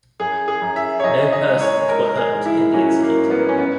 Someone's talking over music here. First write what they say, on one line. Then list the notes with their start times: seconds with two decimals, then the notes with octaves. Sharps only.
No persons were hurt in the incident.
0.20 F#2 G#4
0.48 G#4
0.61 F#2
0.76 E5
0.99 C#5
1.04 F#2 D#5
1.32 D#5
1.47 G#3
1.61 C#5
1.89 G#2 A#4
2.06 A#4
2.17 G#4
2.32 G#2
2.46 E4
2.74 F#3 C#4
3.02 A#3
3.17 G#2
3.30 B3
3.49 C#4
3.59 B3